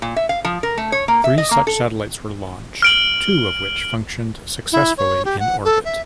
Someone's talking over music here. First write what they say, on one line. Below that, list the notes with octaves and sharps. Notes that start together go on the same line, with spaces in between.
Three such satellites were launched, two of which functioned successfully in orbit.
A#2
E5
F5
F3
A#4
A3
C#5
A#3
E5
D#5
A#3
A4
F6 D7 F#7
E4
C#5
G4
F#5
A4
E5